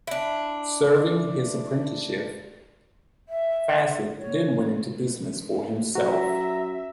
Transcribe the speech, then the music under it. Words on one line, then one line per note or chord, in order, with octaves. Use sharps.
Serving his apprenticeship, Fassett then went into business for himself.
D4 E4
E5
C#5
F#2 F#4 E5 A#5